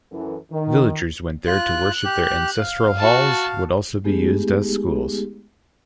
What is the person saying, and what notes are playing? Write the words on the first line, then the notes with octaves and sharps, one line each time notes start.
Villagers went there to worship their ancestral halls would also be used as schools.
F#2 E3 A4
D#3
F4 F#6
G4
F5
F#4 A5
G#3 A3 B3 D#4 G4 G#4